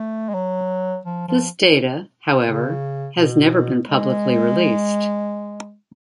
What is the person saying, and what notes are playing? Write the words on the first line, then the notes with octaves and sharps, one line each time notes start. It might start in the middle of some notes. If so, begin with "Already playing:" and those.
This data, however, has never been publicly released.
Already playing: A3
G#3
F#3
F3
F3
C#3
B2
G#3